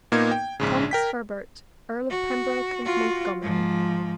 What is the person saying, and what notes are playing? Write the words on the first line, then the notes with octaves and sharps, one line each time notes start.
"Thomas Herbert, Earl of Pembroke and Montgomery."
A#2 A#3 B3 D#4 A#4 G#6
G5
A#1 G#2 C#3
A#4 G5 B6
F#4
F4 F#4
G#2 F3